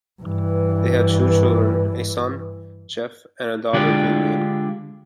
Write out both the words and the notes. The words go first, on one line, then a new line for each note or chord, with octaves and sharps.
They had two children, a son, Jeff, and a daughter, Vivien.
G2 E3
D3 G#3 D4 F4 G4